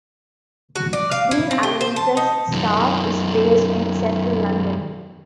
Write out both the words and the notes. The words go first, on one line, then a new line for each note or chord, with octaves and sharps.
Green Alliance's staff is based in central London.
F#4
D5
F5
E4
C4
G4
C5
A5
D#4
F#2 D#3